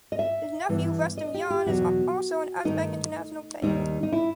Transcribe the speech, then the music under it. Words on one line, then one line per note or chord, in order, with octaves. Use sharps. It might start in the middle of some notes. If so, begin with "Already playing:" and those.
His nephew, Rustamjon, is also an Uzbek international player.
D#5
E5
G2 E3 B3
D#5
G4
G4
E2 B2 F#3 F#4
G2 D#3 A3 D#4
D#2 D#3 G3 D#4
D#4
E4